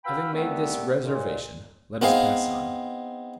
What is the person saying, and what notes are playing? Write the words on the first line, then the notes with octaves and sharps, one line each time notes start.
Having made this reservation, let us pass on.
F#4 B4 F5 G5 B5 E6
D#2 D3 G3 A3 B3 C4
D#2 A#2
B3 C4 D#4 G#4 C5 F5